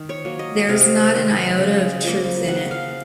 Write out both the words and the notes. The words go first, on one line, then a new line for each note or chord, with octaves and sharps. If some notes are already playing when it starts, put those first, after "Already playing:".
There's not an iota of truth in it.
Already playing: D#3
C#5
F#3 A#3
D#5
C3 F5
D#3 G#3
C#3
F3 A#3
C#3 F#5
F5